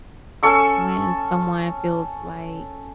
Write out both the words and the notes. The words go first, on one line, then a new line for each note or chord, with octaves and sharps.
when someone feels like
C#4 A4 C#6 E6